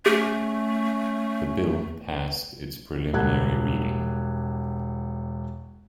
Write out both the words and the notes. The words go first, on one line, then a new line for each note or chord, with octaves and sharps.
The bill passed its preliminary reading.
A3 C#4 G#4
E1 G3 F#5 A5 F#6 G#6